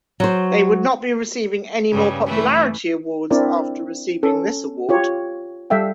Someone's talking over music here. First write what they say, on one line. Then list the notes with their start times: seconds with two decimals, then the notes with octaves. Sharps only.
They would not be receiving any more popularity awards after receiving this award.
0.20 F#3 C5
1.91 G2 C#3
2.26 E3 A3 E4
3.31 C4 D4 E4 A#4 D5
4.23 C#4 A4
4.89 F4 G4 C#5
5.70 G3 A4 E5 F5 G5